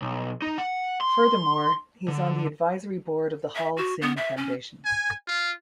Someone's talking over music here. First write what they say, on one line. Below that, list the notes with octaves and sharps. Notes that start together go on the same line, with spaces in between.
Furthermore, he is on the Advisory Board of the Holcim Foundation.
B1
D#4
F#5
C6
D3
E5
F#4
B3
E5
C#4
G#5
F4